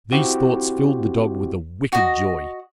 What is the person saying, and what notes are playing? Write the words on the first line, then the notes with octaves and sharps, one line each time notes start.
These thoughts filled the dog with a wicked joy.
C4 E4 F#4 G4
F#4 D#5